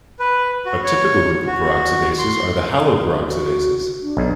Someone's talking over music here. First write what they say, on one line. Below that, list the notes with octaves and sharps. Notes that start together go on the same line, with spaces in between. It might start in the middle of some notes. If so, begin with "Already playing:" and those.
A typical group of peroxidases are the haloperoxidases.
B4
F#4
C#5
F#4
C6
F#4
D4
B1